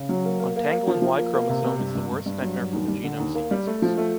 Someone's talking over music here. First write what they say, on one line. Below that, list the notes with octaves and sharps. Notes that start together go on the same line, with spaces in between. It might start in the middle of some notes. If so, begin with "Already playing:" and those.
Untangling Y-chromosome is the worst nightmare for the genome sequencers.
Already playing: C#3
F#3
A#3
A#3
A#3
A#3
F3
F3
A#3
A#3
C3
C3
G2
G2
G2
G2
F#3
G2
D#2
G3
D3
D#2
A#3
G3
A3
F3
A3